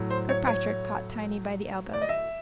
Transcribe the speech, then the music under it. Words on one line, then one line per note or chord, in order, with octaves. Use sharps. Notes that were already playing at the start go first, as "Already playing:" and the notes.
Kirkpatrick caught Tiny by the elbows.
Already playing: A2 F#3
C5
C#5
C#5
D5
D#5
E5